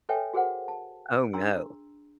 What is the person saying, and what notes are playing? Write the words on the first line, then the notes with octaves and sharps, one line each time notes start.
Oh, no.
A4 B4 C#5 E5 G5 G#5
F#4 G#4 A#4 C5 F#5
A5
D4 G#4 A#5 C6 E6